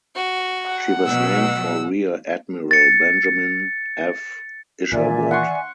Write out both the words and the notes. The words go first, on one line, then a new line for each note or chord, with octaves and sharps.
She was named for Rear Admiral Benjamin F. Isherwood.
F#4
F#5
B2 F#3 E6
A6 C#7
A#2 D#3 E3 D5 E5 G#5
F#5 C6 C#6